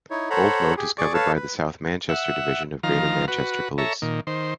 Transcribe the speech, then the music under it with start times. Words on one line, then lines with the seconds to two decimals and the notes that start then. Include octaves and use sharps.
Old Moat is covered by the South Manchester Division of Greater Manchester Police.
0.10 D#4 E4 C#5
0.30 A4 C5 C#5 F#5 A#5 B5
0.77 G4 G#4
0.98 G#4 D5 C#6 D6
1.14 A4 B4 C#5 F5 A5
1.36 B4
2.09 E5 F#5
2.83 D#3 F3 F5 A#5
3.28 F#4 B4
3.78 A4 C#5 E5 A#5
4.02 A#2 D#3
4.27 D#3 C5